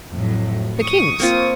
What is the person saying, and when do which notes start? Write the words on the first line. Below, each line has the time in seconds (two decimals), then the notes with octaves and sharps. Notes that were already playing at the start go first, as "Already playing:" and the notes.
The king's.
0.12 F2 A2 F#3
0.80 C#6 D#6
1.20 A#3 C4 F4